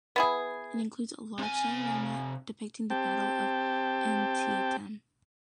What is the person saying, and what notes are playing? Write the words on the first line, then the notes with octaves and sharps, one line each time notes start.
It includes a large diorama depicting the Battle of Antietam.
B3 E4 G#4
C3 G#5
C4 G4 G5 A5